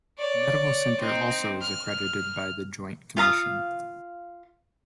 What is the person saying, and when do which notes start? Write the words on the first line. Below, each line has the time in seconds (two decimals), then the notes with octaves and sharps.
The Medical Center also is accredited by The Joint Commission.
0.18 C#5 D5
1.00 C4 D#4
1.61 F6
3.17 F4 F5 A#5 D#6